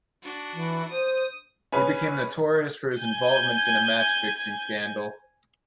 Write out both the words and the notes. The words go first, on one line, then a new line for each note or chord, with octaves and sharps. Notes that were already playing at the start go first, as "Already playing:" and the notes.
He became notorious for his involvement in a match-fixing scandal.
D4 F#4
E3
C5 D#6
C#4 G#4 B4
G#5 G6